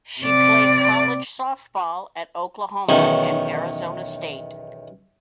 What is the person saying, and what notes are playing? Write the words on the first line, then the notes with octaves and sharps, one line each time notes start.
She played college softball at Oklahoma and Arizona State.
C3 D5
B1 E2 D#3 C#4 C#6